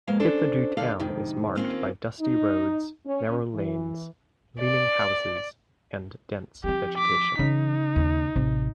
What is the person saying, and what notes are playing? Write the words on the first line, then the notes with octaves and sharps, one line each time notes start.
Hithadhoo Town is marked by dusty roads, narrow lanes, leaning houses and dense vegetation.
F2 B2 G#3 A#3 F5
C#4 D4 A4 C5
D#2 D3 D4 A4 D5 F5
F2 G#2 C3 D#3
D#3 A#3 C4 C#4 F4
D#4
C#4
E3
D5
F3 C4 G4
D6 B6
C#3 E3 D#4
D#2
A1 C3